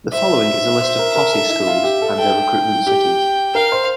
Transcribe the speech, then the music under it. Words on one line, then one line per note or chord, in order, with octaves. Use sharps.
The following is a list of the Posse schools and their recruitment cities.
C5 E5
C5
A#4
A#4
A4
E4
F4
G4
A4
A4 G5
G4
A#4 F5
C5